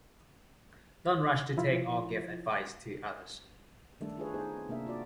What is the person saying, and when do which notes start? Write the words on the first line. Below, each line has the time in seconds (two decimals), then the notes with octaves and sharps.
Don’t rush to take or give advice to others.
1.57 F3 E4 F4
4.01 D#3 G3 A3 D4 A4
4.17 D4 F4 G4 G#4 B4 C#5
4.34 B3 D#4 G#4 C5
4.56 C4 D#4
4.69 C3 A#3 D4 A#4 E5
4.87 F4 F#4 D5